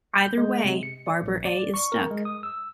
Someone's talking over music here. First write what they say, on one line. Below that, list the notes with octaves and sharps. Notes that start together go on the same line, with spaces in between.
Either way, Barber A is stuck.
G6
G#3
C3
C#7
D5
A#1
D5
C#6
A#4
G#3
D#6
E6